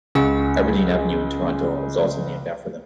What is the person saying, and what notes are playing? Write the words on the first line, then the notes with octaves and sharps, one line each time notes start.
Aberdeen Avenue in Toronto is also named after them.
C#2 C#4 G#4 G#5